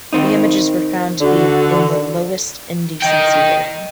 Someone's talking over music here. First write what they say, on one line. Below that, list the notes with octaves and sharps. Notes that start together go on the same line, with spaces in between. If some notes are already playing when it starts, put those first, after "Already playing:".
The images were found to be in the lowest indecency rating.
D#3 C4 D#4
D3 F#4 A4
D#5 G5